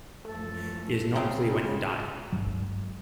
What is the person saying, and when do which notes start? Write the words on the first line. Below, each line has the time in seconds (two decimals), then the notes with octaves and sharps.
It is not clear when he died.
0.25 F#2 E3 F3 A3 A4
1.16 C#3 C4
2.32 G#1 G2 F#3